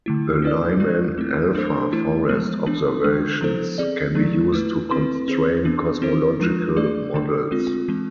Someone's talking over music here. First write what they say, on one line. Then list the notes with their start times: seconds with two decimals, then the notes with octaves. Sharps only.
The Lyman-alpha forest observations can be used to constrain cosmological models.
0.06 D3 A3 E4
0.42 C4 E4 B4 D5
0.80 G#3 D4 F4
1.18 A3 C4 E4
1.55 A3 D4 A4 C5
1.92 E3 A3 E4
2.29 F3 G#3 B3
2.66 E3 B3 D4
3.04 D3 G#3 D4
3.41 F3 B3 E4 A4 C5
3.78 C4 G#4 D5
4.15 F3 G#3 B3 E4
4.53 A3 E4 B4
4.90 C4 E4 B4
5.28 C4 G#4 C5
5.65 E3 B3 D4
6.02 C4 E4 A4 C5
6.40 F3 G#3 D4 F4
6.76 A3 D4 G#4 D5
7.14 D3 A3 D4
7.51 G#3 C4 F4
7.88 E3 G#3 C4